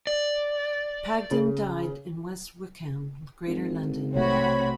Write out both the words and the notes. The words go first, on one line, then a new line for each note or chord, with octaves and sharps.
Padgham died in West Wickham, Greater London.
D5
C#3
G#1
B1 C3 A3 C4 F#4 C#5 B5